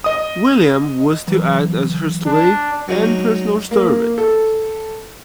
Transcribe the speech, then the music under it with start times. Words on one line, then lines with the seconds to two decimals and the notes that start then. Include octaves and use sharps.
William was to act as her slave and personal servant.
0.04 D#5 D#6
1.27 E3 F#3
2.26 D4
2.88 F#3 G#3 D4 D#4 F#4
3.71 A#3
4.18 A4